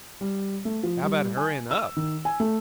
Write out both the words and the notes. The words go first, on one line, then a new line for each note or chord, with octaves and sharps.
"How 'bout hurryin' up?"
G3
A3
F3
G3
G#5
E6
D#3
G#5
A3